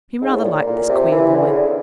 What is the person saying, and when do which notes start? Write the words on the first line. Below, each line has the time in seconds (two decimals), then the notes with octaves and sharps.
He rather liked this queer boy.
0.21 G#2
0.32 A2
0.43 A#2
0.66 A#2
0.88 C3
1.11 E3
1.35 D3
1.46 C#3
1.58 D3